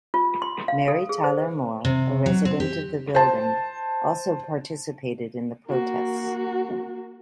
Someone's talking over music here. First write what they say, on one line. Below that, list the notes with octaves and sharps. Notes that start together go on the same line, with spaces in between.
Mary Tyler Moore, a resident of the building, also participated in the protests.
F4
C6
F5
A4
G#4
C5
C3
F#3
C4
G4
C5 A5
A#3 F#4